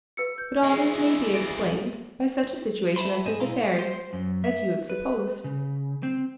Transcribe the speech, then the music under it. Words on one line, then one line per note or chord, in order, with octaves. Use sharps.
But all this may be explained by such a situation of his affairs as you have supposed.
B4 E6 C#7
G6
E3 G#3 G#4 D#5
D#5
A6 A#6 D7
E5 A5 B5 C6
G#2 C5 D#5 G#5
B2 E4 G#4 F5 A#5 C6
C5
F#2
E5
B4
C#3
C4